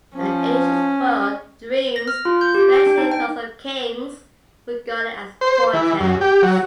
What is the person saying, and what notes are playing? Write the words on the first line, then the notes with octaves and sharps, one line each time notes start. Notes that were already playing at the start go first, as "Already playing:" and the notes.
In the ancient world, dreams, especially those of kings, were regarded as portents.
F3 C#4
A#6
F6
F4
G6
G4
G5
D4
D#4
G5
C5
E3
F#2
G4
F#3